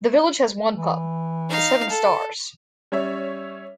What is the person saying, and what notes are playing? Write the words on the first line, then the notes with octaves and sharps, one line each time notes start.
The village has one pub - The Seven Stars.
E3
D#4 F5
A4
G3 C#4 C#5 E5